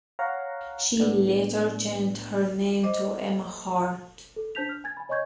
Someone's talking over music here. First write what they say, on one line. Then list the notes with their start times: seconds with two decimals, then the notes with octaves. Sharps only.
She later changed her name to Emma Hart.
0.19 C#5 F5 F#5 A#5
1.00 A2 B3 D4
2.83 C5 D#5 D6
4.36 A4
4.55 D4 C5 A5 G6 B6 F7
4.69 F6
4.84 G#5 G#6 A6
4.97 G#5 B5
5.09 C#5 D#5 G#5 C#6 G6 G#6